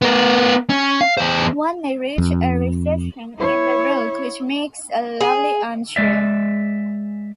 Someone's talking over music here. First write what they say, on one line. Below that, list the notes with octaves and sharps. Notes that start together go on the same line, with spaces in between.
One may reach a recession in the rock which makes a lovely armchair.
B3 A#4
C#4
F5
E2 C5
F2
E4 C#5
G#4
G#3 D5 E5